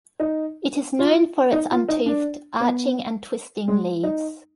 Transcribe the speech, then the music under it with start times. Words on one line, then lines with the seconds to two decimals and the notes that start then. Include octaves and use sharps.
It is known for its untoothed arching and twisting leaves.
0.20 D#4
0.99 F4
1.52 D#4
1.71 F4
1.88 D#4
2.06 D4
2.60 B3
3.68 G#3
4.03 D#4